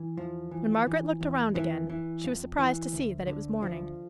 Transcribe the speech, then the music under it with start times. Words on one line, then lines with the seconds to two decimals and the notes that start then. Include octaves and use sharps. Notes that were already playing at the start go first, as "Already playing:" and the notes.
When Margaret looked around again, she was surprised to see that it was morning.
Already playing: E3
0.17 E2 F3
0.51 E3
0.86 E3
1.21 E2
1.55 F2 E3
1.89 E3
2.24 F2
2.58 E3
2.93 D2
3.27 D3
3.62 D2 F3